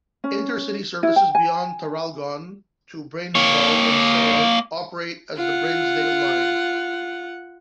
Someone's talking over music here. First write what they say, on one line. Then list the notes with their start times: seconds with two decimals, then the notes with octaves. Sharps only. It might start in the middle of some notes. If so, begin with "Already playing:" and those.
Intercity services beyond Traralgon to Bairnsdale and Sale operate as the Bairnsdale Line.
0.24 C#4
1.03 E4
1.16 G5
1.35 G#5
3.35 A#3 C#5
5.38 F4 F#5